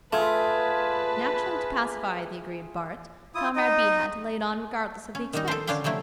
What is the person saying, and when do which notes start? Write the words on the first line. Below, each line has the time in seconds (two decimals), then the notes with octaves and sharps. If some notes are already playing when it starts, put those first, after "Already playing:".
Naturally, to pacify the aggrieved bart., Comrade B. had to lay it on regardless of expense.
0.13 A3 F4 G#4 B4 A5
3.35 E4 F4 D#6
3.56 D#4 D#5
5.15 C#4
5.33 D#3 G3 D#4
5.48 A4 C5
5.67 D3 C#4 D4 F5 G5
5.84 C3 F3 F#3 A3 E4